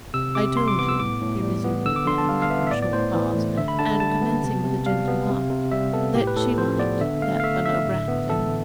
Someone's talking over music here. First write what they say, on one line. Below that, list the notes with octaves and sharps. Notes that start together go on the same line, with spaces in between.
'I told you,' he resumed again, after a short pause, and commencing with a gentle laugh, 'that she liked that fellow, Bracton.'
C3 E6
C3 D6
G3 C6
D6
B3 D6
E6
A2 D6
A2
G3
B3
D3 E6
D6
D3 C6
A5
G3 F5
F5
B3 E5
E5
A2 D5
D5
A2 C5
E3
A3
D3 E5
B5
D3 A5
G3 A5
B3
C3
C3
G3 F5
B3
C3
C3
G3 E5
B3 A4
A2 G4
B4
A2 A4
F3 C5
B3 D5
D3 E5
A3 F5
F5
A3 E5
D3 E5
A2
B3
E3 A4